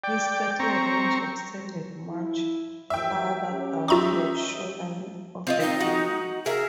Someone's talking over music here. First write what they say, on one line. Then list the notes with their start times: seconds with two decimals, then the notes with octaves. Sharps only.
His cattle range extended much farther down the shoreline of the bay.
0.04 D5 G5
0.60 C4 A#5 C#6
2.08 E4
2.90 D#2 E3 F3 E5 G5
3.50 C#4 G4
3.88 D#4 F4 E5 A#5 C#6
5.47 C4 F4 D#5
5.61 D#4
5.80 F#4
6.46 G#4 A#4 E5